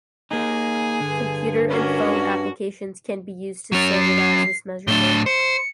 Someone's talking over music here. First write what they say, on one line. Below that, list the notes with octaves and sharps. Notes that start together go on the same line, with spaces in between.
Computer and phone applications can be used to standardize this measurement.
A#3 D#4 G#4
G2 D3
C#4 D4 F#4 A#4
F#3 C#4 F7
C7
A2 D4 G7
C5 C#7